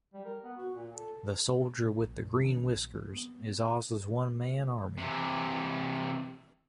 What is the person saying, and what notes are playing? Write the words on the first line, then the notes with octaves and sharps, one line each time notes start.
The Soldier with the Green Whiskers is Oz's one-man army.
G3
A#4
B3
F#4
A#2
A4
A#2
A#1
F#2 A#2
D#3 G3 C#4 D4
A#1
B3
C3 E3